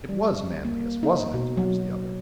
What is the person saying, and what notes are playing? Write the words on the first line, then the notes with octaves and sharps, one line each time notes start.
"It was Manlius, wasn't it?" urged the other.
G3
A#3
D#4
B2
F#3